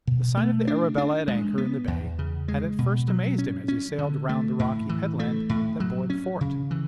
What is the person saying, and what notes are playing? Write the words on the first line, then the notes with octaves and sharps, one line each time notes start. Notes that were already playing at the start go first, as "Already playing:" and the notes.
The sight of the Arabella at anchor in the bay had at first amazed him as he sailed round the rocky headland that bore the fort.
B2
A3
D4
D4
G#3
B3
E2
C#3
G#3
B2
F#3
C#4
C#4
D3
A3
A2
E3
A3
A2
F#3
C#4
C#3
E3